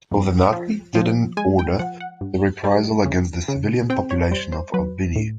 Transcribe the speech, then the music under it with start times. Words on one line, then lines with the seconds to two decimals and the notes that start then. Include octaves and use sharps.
So the nazi didn't order the reprisal against the civilian popolutation of Albinea.
0.11 F2
0.53 F3
0.95 F3
1.37 G#3 G#5
1.59 G5
1.79 F3 F#5
2.00 F#5
2.21 G2
2.64 G3
3.05 C#3
3.48 C#3
3.90 C4 G5
4.11 C#5
4.31 G3 C5
4.52 C5
4.74 F#3 B4
5.16 A2